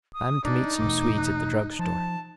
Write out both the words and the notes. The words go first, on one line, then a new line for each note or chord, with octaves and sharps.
I'm to meet some Swedes at the drug-store.
D#6
D4 D#4
E1 A3 D6
F#6
F3 A5